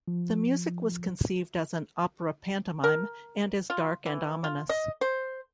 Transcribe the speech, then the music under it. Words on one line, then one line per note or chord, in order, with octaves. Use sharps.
The music was conceived as an opera pantomime, and is dark and ominous.
F3
A#4
F4
E3
F4
D#5
C5